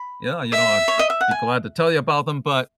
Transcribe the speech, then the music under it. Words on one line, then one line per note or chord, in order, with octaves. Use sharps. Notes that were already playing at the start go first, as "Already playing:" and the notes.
yeah, you know, I'd be glad to tell you about them, but,
Already playing: B5
E5
C#5
D#5
E5
F#5
G#5